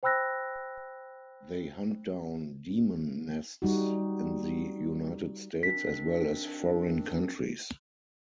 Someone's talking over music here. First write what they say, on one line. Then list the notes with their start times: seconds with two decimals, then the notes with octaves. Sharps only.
They hunt down demon nests in the United States, as well as foreign countries.
0.03 C5 G5 B5 E6 F#6 A#6
3.62 G3 D#4 F#4
5.63 D#3 C4 D4 B6